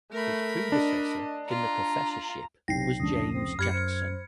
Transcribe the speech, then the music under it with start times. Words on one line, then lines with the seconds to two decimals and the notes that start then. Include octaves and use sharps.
His predecessor in the professorship was James Jackson.
0.13 A3 A#4 B5
0.72 D4 D#5
1.48 F4 A#5
2.68 B1 C3 G5 A#6 C7
3.00 F1 C#2 D4 D#6
3.33 C4
3.59 F#2 G4 B5 F6 G#6 C#7
3.73 C5